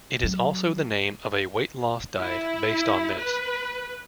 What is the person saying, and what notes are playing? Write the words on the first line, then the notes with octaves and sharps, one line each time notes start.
It is also the name of a weight-loss diet based on this.
F#3
E4
B4